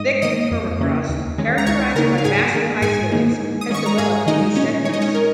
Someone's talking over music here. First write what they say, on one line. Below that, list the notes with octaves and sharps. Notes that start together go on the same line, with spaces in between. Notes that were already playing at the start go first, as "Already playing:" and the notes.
Thick permafrost characterized by massive ice wedges has developed in these sediments.
Already playing: G#2 D#5 D#6
D#3 A#3 D#5 D#6
F2
C#3 A#3 C#4
D#2
D#3 G#3 C#4
A#5
C#2 C#5 C#6
C#3 A#3 D#4 A#4 A#5
F5
G#2 G#4 G#5
D#3 A#3
G#2 G#4 G#5
D#3 A#3 D#4
G#2
D#6
D#3 G#3 C#4 C#6
A#5
G#2 G#4 G#5
D#3 G#3 D#4 D#5
A#2 C#4 C#5
G#3 D#4 C#5 D#5
C#4 C#5
A#4